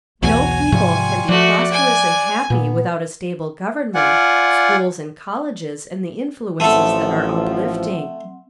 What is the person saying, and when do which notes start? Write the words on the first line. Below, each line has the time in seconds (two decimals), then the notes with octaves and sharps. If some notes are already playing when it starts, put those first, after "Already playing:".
No people can be prosperous and happy without a stable government, schools and colleges and the influences that are uplifting.
0.22 B1 E2 F#4 C#5 G#5
0.72 G#2 C3 F3 G3 F4 C#6
1.29 F3 A3 F#4 D5 F#6
1.72 G#5
2.50 A#2 B3
3.95 F4 D5 F#5 G#5
6.60 A1 F3 A3 C4 A4 F#5